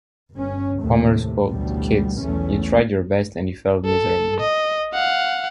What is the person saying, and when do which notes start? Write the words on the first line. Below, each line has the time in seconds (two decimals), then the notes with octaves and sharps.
Homer's quote, Kids, you tried your best and you failed miserably.
0.34 G1 C#4
0.80 D#2 A2 C3 A3
1.47 A1 D2 B2 G3
2.20 B1 E2 A3 C#4
3.85 A4
4.40 D#5
4.94 F5 F#5